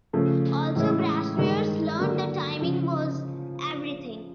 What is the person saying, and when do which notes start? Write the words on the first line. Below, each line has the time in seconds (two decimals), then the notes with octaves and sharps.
Also Braceros learned that timing was everything.
0.13 C#3 F3 A3
0.76 A2 E3 G#3 C#4 E4
1.37 G2 D#3 G#3
1.98 D3 F#3 A#3
2.60 C#3 F3